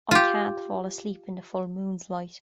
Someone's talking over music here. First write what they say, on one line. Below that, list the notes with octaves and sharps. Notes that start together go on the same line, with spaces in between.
I can't fall asleep in the full moon's light.
F4 G4